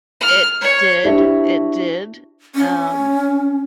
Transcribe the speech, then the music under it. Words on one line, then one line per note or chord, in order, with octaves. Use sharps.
It did. It did. Um,
F6
C#5
D4 E4 F#4 G4 C5 D5
C#4